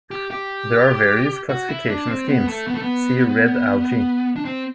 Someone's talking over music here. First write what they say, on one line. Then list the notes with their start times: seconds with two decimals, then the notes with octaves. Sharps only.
There are various classification schemes; see Red algae.
0.11 G4
0.31 G4
1.49 F#4
1.69 E4
1.89 D4
2.08 C4
2.29 B3
2.48 A3
2.67 B3
2.75 A3
2.82 B3
4.36 D4
4.45 C4